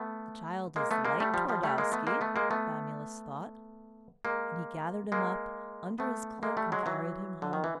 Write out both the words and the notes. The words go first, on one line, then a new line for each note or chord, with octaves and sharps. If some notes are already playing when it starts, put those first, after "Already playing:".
"The child is like Twardowski," Famulus thought, and he gathered him up under his cloak and carried him home.
Already playing: A3 B3
G#3 A#3
A3 B3
G#3 A#3
G3 A3
F3 G3
F3 G3
G3 A3
G#3 A#3
A3 B3
G#3 A#3
A3 B3
G#3 A#3
A3 B3
G#3 A#3
G#3 A#3
A3 B3
G#3 A#3
G3 A3
F#3 G#3
E3 F#3
D3
D#3
E3